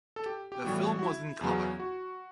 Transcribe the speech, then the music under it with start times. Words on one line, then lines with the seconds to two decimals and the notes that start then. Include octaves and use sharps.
The film was in colour.
0.16 A4
0.26 G4
0.52 G4
0.64 A2 E3 G3 B3 F#4
0.99 F#4
1.03 E4
1.41 E2 C#3 F#3 B3
1.80 F#4